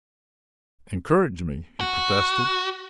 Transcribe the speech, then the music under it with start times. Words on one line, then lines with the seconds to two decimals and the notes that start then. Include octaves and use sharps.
"Encouraged me!" he protested.
1.81 F#4